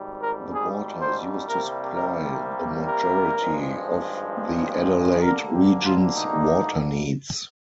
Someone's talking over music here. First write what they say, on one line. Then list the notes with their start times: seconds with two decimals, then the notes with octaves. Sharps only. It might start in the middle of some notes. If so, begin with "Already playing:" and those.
The water is used to supply the majority of the Adelaide region's water needs.
Already playing: G#1 G#2 G3
0.22 A#4
0.54 G#4
1.01 C5
1.47 C2 C3 G3 A#3 A#4
1.94 A#4
2.88 A#4
3.35 G#1 G2 F3 G#3
5.22 D2 D3 G3 A#3 A#4
5.53 G4
5.85 F4
6.15 D#4